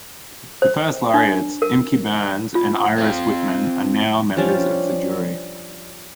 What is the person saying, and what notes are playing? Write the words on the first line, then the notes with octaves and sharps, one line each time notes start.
The first laureats, Imke Bruns and Iris Wittmann are now members of the jury.
C5
D4
A#4
F4
C4 F4
F3 G3 C#4 D4